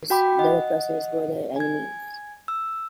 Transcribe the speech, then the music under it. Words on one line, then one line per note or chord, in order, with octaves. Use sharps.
Their oppressors were their enemies.
F#4 G5 B5 D6
D#5 F#5
G#5 G#6
E6